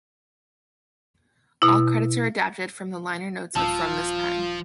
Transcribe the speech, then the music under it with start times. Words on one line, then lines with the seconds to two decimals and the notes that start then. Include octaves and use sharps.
All credits are adapted from the liner notes of "From This Pen".
1.62 B2 E4
3.56 D#1 F3 F4 A5 E6